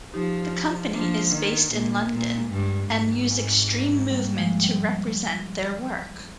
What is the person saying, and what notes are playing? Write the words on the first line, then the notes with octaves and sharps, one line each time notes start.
The company is based in London and use extreme movement to represent their work.
F3 D#4 G4
F3 A#3 D4
D#3
A#2
A#2
G#3
G2 G3
G#2
G#3 C4
G3 A#3
F3 G#3
G3